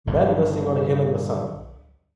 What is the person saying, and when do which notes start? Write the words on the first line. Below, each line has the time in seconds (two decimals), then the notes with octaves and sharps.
Men resting on a hill in the sun.
0.07 G1 G2